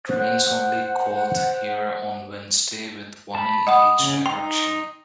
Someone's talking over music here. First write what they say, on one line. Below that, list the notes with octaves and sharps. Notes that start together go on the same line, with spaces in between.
Trains only called here on Wednesday with one in each direction.
C5 F#5
A5 B5
D#5 F#5 B5 D#6
C#3
D#4 G5 C6